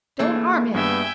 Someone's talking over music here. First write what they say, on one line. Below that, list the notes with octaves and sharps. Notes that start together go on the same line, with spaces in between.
"Don't harm him!"
E3 A3 A#3 G#4
G2 B3 E5 G5 G#5